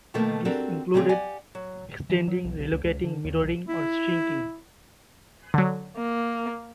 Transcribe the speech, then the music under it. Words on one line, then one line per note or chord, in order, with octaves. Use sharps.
This included extending, relocating, mirroring or shrinking.
B2 D#3 F3 A3 A#3
C4 D4 F#4 G4 A4 A#4
C#3 G3 C4 D4 F4 G#4
G4 D5 F#5 G#5
F#3
E3
F#3
B1
B1
C#2
C#2
D3
D#2
B1
E4
D3 F#3
A#3